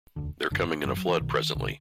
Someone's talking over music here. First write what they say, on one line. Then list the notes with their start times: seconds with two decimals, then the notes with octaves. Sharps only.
They’re coming in a flood presently.
0.16 E1 D2 D3
0.51 G#1 F#2 D3
0.85 G#1 F#2 D3 F#3
0.97 F#3
1.09 E3
1.20 B1 B2 D#3
1.55 B1 B2 D3